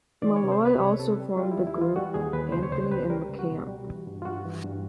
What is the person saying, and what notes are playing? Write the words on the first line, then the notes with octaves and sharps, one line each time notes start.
Malloy also formed the group Anthony and the Camp.
D#3 D5
C#5
C3
C5
C2 B4
C3 C#5
C3 A4
G3
G3 F4
D#2 E4
E4
E3
F4
G3 F#4
D#2 G#4
D#2 B4
C#2 C5
C#5
C#2 C5
G3 B4
G3 A#4
C#2
F#4
B2
G3
E3
G2
F4
G2 F#4
E3
G2